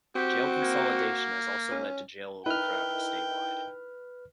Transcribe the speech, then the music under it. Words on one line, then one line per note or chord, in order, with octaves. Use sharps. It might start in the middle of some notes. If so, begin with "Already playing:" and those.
Jail consolidation has also led to jail overcrowding statewide.
C4 F#4 G4
A#3
C#4
D#4 E4 A#4 B4 G5 F6